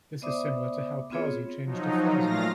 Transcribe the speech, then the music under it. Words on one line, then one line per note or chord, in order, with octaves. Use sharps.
This is similar to how Parsi changed to Farsi.
B3 C5 D5 E5 D6 D#6
B3 C4 F4 G#4 C#5
F3 F#3 D#4
A#2 A3 F4 F5 A#6